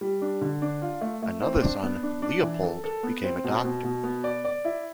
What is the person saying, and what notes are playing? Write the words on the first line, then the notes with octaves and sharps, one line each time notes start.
Another son, Leopold, became a doctor.
G3
D4
D3
D4
F4
A3
A3
C4
D4
B3
D4
D4
E3
A4
A4
B3
C4
B2
B2
B2
B3
D5
D5
E4